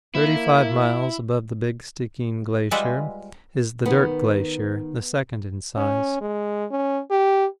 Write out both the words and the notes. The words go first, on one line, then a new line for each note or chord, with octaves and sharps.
Thirty-five miles above the Big Stickeen Glacier is the "Dirt Glacier," the second in size.
A#3 E4
G3 G#3 F4 B4 E5 F#5
D#3 B3
C#4
G#3
C#4
G4